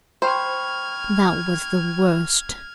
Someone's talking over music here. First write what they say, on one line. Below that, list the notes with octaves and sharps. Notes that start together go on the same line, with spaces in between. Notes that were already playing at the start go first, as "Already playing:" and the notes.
That was the worst!
C5 G5 B5 C#6 F6 G#6